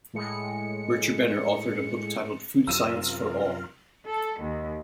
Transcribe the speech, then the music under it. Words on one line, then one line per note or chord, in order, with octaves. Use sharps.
Bircher Benner authored a book titled ""Food Science for All"".
A2 G#3 C#7
F#2 C3 F#3 F4 A#4 E6 D#7 E7
A4
D#2